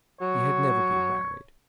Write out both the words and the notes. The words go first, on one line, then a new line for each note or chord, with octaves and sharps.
He had never been married.
F#3 C#5